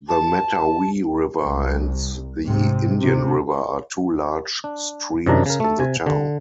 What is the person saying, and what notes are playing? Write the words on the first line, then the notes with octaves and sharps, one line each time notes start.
The Mettawee River and the Indian River are two large streams in the town.
A5
C2
G#2 C3
C3
D4
F#2 C3 D#3 D4 A#5
C#3 A#4
A3 A4
C3 G#5
D3